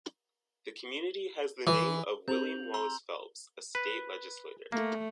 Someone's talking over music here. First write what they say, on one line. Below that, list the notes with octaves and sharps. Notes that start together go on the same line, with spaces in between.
The community has the name of William Wallace Phelps, a state legislator.
E3
C4 G4 C5 G6 F7 F#7
A#5 C6 E6
B4
A3 A#3